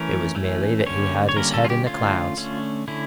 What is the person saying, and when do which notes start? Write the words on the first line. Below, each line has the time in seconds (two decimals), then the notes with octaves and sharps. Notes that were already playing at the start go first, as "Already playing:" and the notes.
It was merely that he had his head in the clouds.
Already playing: E3 A3 C#4 A#4
0.35 E3 A3 C#4
0.86 D3 G3 A#3 C#4 C#5
1.29 C#5
1.36 D3 G3 A#3 C#4 A#4
1.54 A4
1.64 F4
1.70 G4
1.86 D3 A3 C#4 F4
2.37 D3 A3 C#4
2.88 D3 A3 C#4 E4